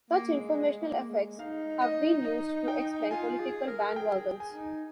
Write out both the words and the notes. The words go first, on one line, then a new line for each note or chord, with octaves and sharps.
Such informational effects have been used to explain political bandwagons.
A#3
G#3
G#3
A#3
G#3
D#4 F5
D#5
D#5
G5
F4 G#5
G#4
A#4
G#4 G5
G#5
D#4